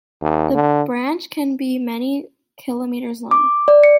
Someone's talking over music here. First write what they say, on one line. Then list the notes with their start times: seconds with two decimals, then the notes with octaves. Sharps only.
The branch can be many kilometres long.
0.21 D#2
0.55 D3
3.31 D6
3.68 D5
3.84 C#7